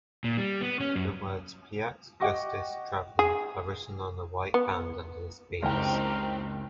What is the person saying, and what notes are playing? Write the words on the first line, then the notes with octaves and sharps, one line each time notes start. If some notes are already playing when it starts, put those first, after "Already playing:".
The words "Paix, Justice, Travail" are written on a white band under the spears.
A#2
G3
B3
C#4
F#2
D#5 F#5 G5 C#6 D6 A#6
G#4
B3
F#1 C#2 C4 D#4 G4 A#4 G5